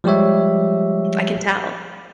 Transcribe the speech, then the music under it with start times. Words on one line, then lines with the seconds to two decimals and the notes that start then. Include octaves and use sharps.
I can tell.
0.04 F3 G3 G#3 G4 C#5 E5